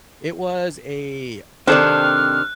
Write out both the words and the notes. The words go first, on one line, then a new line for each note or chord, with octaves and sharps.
it was a
C3 D#3 C4 D4 A4 D5 F6 F#6